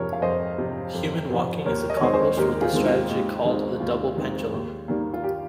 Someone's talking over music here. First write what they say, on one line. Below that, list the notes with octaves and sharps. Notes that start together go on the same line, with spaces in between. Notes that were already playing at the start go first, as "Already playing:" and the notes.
Human walking is accomplished with a strategy called the double pendulum.
Already playing: F2 C3 F3 G#4 A#4 C#5
F5
F2 C5 D#5
C3 F3
F2
C3 F3
D#2 A#4 C#5
D#5
C#5
D#3 G#3 C4 C5 D#5
G#4 C5
D#2 G4 A#4
F4 G#4
D#3 G#3 C4
F4
D#2
D#3 G#3 C4
D#2 F4
D#3 G#3 C4
D#2
D#3 G3 A#3
F4
G4